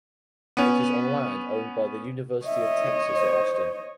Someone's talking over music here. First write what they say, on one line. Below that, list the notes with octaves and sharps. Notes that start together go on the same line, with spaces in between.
It is on land owned by the University of Texas at Austin.
B3 C#4
C#5 D#5 E5
C5